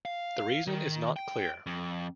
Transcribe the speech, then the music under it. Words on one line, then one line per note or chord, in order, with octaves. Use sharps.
The reason is not clear.
F5
D#3
G5
F2